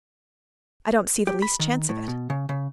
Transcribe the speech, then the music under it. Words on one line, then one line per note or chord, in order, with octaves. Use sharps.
I don't see the least chance of it.
G4
B5
D#3
A2
B2
C#3
C#3